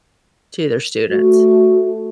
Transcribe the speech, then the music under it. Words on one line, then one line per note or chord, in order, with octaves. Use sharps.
to their students.
A3 F#4